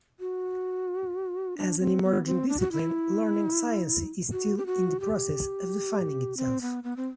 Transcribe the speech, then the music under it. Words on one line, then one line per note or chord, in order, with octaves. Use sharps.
As an emerging discipline, learning science is still in the process of defining itself.
F#4
D4
C4
B3
C4
D4
F#4
E4
F#4
G4
F#4
G4
C4
B3
B3
C4